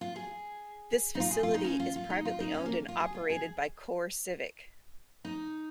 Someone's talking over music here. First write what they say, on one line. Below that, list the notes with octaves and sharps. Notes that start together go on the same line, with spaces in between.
This facility is privately owned and operated by CoreCivic.
F4
G#4
D#4
F4
G#4
F4
D#4
C#4
F4
F4
D#4
F4
D#4
C#4
A#3
F4
G#4
F4
G#4
D#4